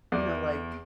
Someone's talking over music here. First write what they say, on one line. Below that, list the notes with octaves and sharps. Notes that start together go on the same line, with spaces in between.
you know, like
E2 D5